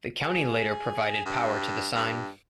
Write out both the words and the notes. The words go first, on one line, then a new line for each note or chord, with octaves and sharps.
The county later provided power to the sign.
G#4
G2
G2